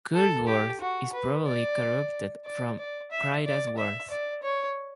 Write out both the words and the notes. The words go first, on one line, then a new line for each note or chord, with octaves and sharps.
Curdworth is probably corrupted from Crida's Worth.
A4
G4
F#4
B4
D5
D5
D5
E5
D5
E5
D5
C#5